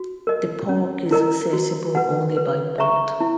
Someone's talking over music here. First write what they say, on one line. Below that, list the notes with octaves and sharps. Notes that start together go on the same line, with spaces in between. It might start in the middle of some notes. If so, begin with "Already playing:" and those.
The park is accessible only by boat.
Already playing: F#4
A#4 D#5
C#4
E4 A#4 D#5 A#5
F#4
B4 F#5
B4
E5 A#5 C#6
E4